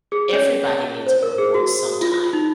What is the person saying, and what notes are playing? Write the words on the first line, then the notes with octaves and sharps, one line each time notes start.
everybody needs a reward sometime,
G#4
C#4 C#5
C5
A#4
G#4
F#4
F4
F4
D#4